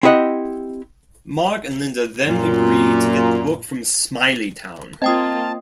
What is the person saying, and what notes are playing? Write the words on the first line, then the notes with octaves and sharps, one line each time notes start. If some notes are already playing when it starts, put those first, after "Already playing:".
Mark and Linda then agree to get the book from Smiley Town.
C4 E4 G4 D#5 F#5
F#2 A#2
A#3 C4 F4 D#5 G5 A5 D#6